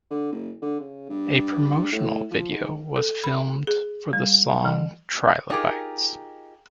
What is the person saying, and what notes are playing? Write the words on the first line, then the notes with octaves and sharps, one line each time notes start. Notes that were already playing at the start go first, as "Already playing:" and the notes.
A promotional video was filmed for the song "Trilobites".
D3
F#1
D3
C#3
G2
A2
F3
G#2
A4
B5
G#4
G3
E3
D#4 F4 G4 G#4 A#4